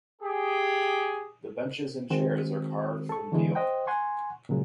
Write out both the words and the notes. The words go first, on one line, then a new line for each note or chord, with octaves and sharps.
The benches and chairs are carved from deal.
G4 G#4
D#3 G#3 C4 F#4
A4 C#6
D3 E3 G#3 B3
C5 D#5 F#5 G5
F#5 G#5 C6 C#6
A#2 C#3 F#3 G#3